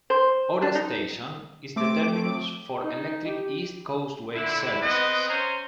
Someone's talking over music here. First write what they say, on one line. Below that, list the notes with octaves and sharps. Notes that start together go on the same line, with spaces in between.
Ore station is the terminus for electric East Coastway services.
C5
D4
D#4
A3 C4 D6 D7
D#4
G4
D3 E4
B3 C4 G#4 B4 D#5
C#4 C5 G#5 A#5 C6